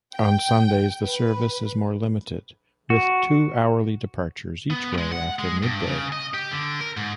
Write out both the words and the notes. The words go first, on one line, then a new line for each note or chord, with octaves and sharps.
On Sundays the service is more limited, with two-hourly departures each way after midday.
G5
B4
F#4
B3
G#3
F#5
G#3
G2
C#3
D#5
G4
D3
A#4
G#2